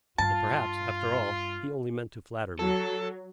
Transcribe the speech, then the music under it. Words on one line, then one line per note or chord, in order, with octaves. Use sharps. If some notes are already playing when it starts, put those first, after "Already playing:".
But perhaps, after all, he only meant to flatter me.
G2 F4 A5
F#3 A4